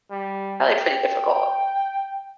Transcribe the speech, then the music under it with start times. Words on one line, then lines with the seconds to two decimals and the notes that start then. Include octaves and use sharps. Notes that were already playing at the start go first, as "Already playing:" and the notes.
probably pretty difficult.
0.11 G3
0.76 G5